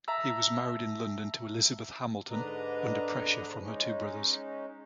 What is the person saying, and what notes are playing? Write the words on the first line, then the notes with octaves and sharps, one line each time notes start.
He was married in London to Elizabeth Hamilton, under pressure from her two brothers.
E5 A5 A#5 E6
G#2 D3 D4 B4 D#5 A#5
G#3 C#4 D#4